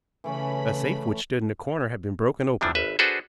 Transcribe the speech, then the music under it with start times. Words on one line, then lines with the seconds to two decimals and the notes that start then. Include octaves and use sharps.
A safe which stood in a corner had been broken open.
0.24 C#3 E3 A3 C#4 B5
2.61 C3 E3 F3 D4
2.75 G#1 B4 E5
2.99 D4 F#4 G#4 A4 B4 C5